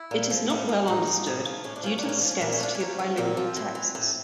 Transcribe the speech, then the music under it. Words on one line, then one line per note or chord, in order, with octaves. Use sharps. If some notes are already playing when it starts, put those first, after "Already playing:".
It is not well understood due to the scarcity of bilingual texts.
Already playing: E4
A#2
F3
A2 F4
F3
A2 D#4
F3
A2
F3
A2 C#4
D4
F3 C#4
A#2 D4
C#4
F3 D4
C#4
A#2 D4
C#4
F3 D4
C#4
A#2
F3
A#2 C4
F3
A2
E3
A2